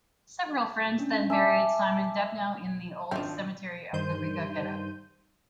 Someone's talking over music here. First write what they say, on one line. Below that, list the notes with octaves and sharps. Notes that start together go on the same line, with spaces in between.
Several friends then buried Simon Dubnow in the old cemetery of the Riga ghetto.
C#4 D4
E5 G#5 A5 D6
G#1 F3 C4 D4
G2 D#3 G3 C5 G6 D#7